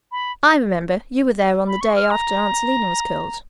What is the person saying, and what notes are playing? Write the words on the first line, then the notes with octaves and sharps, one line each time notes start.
"I remember; you were there on the day after Aunt Selina was killed."
B5
B5
C#6
F6
A#5